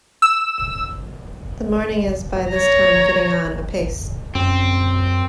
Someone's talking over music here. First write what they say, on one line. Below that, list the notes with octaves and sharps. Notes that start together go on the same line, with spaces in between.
The morning is by this time getting on apace.
E6
C#5 A#5
F#2 C4